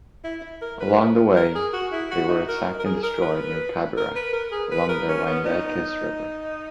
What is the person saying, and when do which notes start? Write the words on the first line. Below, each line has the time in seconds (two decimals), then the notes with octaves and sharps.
Along the way, they were attacked and destroyed near Cabira along the Rhyndacus River.
0.24 E4
0.62 A#4
0.80 B4
0.98 A#4
1.36 A#4
1.55 G#4
1.73 F#4
1.92 E4
2.11 F#4
2.29 D#4
2.48 A#4
2.79 A#4
2.85 G#4
3.03 A#4
3.22 B4
3.97 A#4
4.15 B4
4.33 A#4
4.52 G#4
4.71 B4
4.89 A#4
5.09 C#4
5.26 B3
5.45 D#4